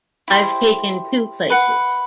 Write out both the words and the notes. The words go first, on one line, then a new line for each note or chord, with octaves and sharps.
I’ve taken two places.
E4 G4 C5
B4 F#5